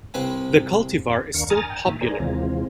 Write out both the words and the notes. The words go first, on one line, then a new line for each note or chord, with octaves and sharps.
The cultivar is still popular.
C2 C4 B4 G#5
D#2 D4 A#4 F5 C#6
G#5 A#5 D#6 F6 A6
G5
A#2 D#3 E5
G#4 A#4 C5 D5 G#5 A#5
D#2 C3 E3 G#3 C4 F4